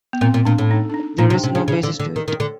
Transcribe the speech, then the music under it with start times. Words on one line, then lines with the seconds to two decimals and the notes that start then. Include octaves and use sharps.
There is no basis to it.
0.13 B3
0.21 A#2 C4
0.34 A#2
0.45 A#2 D4
0.58 A2
0.71 D#4
0.90 D4
0.94 D#4
1.18 A#2 D#4
1.30 C3 D4
1.44 C3 C#4
1.55 C#3
1.58 D4
1.68 C#3
1.83 D3
2.00 D3
2.16 D#3
2.28 D#3
2.40 D3